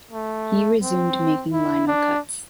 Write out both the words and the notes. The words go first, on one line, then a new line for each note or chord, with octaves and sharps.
He resumed making lino-cuts.
A3
C4
E4
D4